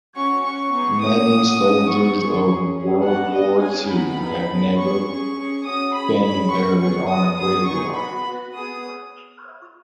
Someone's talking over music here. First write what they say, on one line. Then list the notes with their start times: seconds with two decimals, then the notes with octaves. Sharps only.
Many soldiers of world war two have never been buried on a grave yard.
0.15 C#4 F#4 C#6
0.44 C#4 F#4 C#6
0.72 B3 D#4 G#4
1.01 C#4 F#4 D#6
1.30 C#4 F#4
1.59 C#4 F#4
1.88 B3 F#4 C#6
2.17 B3 G#4 C#6
2.47 C#4 G#4
2.75 C#4 G#4
3.04 B3 F#4 F#5
3.34 B3 F#4 D#5
3.62 C#4 G#4 G#5
3.91 B3 D#4 F#4 B5
4.20 B3 D#4 G#4
4.49 B3 G#4
4.78 B3 G#4 C#6
5.07 C#4 G#4 C#6
5.36 C#4 G#4
5.65 C#4 F#4 D#6
5.93 C#4 G#4 B5
6.23 C#4 G#4 B5
6.52 B3 F#4 C#6
6.81 B3 G#4 C#6
7.10 B3 F#4 D#6
7.39 B3 G#4 D#6
7.68 B3 D#4 G#4 C#6
7.96 B3 F#4 B5
8.25 B3 F#4
8.55 B3 G#4 D#6